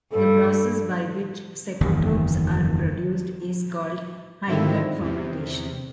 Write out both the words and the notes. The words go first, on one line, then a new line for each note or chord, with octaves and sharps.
The process by which cecotropes are produced is called "hindgut fermentation".
G2 G3 A4
F#1 E2 D#3
G#2 D3 D#3 F3 C4 E4
E2 C3